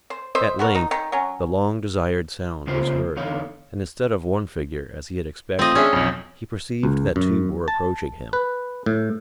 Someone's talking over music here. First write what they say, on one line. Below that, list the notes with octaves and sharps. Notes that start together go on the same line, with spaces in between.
At length, the long-desired sound was heard, and instead of one figure, as he had expected, he perceived that two were approaching him.
C5
C5 D#5 E5
B3 F#4 A#4
D#4
D#3
F#3 C#4
C#3 A#3 F4 G4 C5
E2 D3 D#4 C#5 F5
A3 C4 F4 D#5
C#4 D4 G#4 E5
B1 F2
C#2
F#2
A5
B4
A2